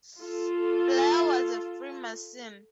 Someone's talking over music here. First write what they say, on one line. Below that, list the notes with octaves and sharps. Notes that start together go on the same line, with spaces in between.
Blair was a Freemason.
F4 A4